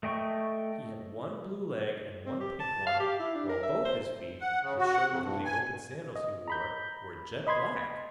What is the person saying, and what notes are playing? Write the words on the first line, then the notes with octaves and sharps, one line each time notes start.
He had one blue leg and one pink one, while both his feet--which showed through the open sandals he wore--were jet black.
A3 D#5 G5 C#6
C4
G4
A5
F5
G4
E4
D4
A#4
E5
C5
F#5
C#3
F#4
F#5
F2
G2
G#5
D#5
A#5 B5 G6
D#5 B5 C6 G#6